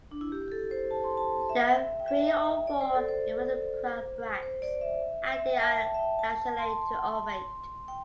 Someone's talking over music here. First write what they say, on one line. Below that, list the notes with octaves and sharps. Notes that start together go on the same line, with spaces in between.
There are three or four involucral bracts and they are lanceolate to ovate.
D4
E4
G4
A4
C5
A5
C6
A5
E5
G5
E5
D5
C5
A4
C5
C5
D5
E5
E5
G5
A5
A5
E5
G5
A5
C6
A5
C6
G5